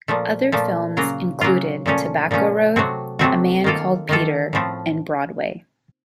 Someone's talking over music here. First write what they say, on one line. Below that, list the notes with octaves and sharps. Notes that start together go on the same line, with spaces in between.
Other films included "Tobacco Road", "A Man Called Peter", and "Broadway".
A#2 F3 A3
A#2 F3 A3
C#3 F#3 A#3 F4
C#3 F#3 A#3 F4
A#2 F3 A3 C#4
A#2 F3 A3 C#4
C3 F#3 A3 C4 F#4
C3 F#3 A3 C4 F#4
D#3 A#3 F4 A4
D#3 A#3 F4 A4
A2 F3 A3 C4